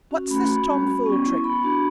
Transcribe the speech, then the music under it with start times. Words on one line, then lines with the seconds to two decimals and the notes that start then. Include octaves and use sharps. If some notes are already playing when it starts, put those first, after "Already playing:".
What's this tomfool trick?
0.11 C#4 F#4
0.29 A3 B5
0.49 C#4 F#4
0.68 G3
0.88 C#4 F#4
1.06 B3 C#6
1.25 E4
1.44 B3 B5
1.64 D4 F#4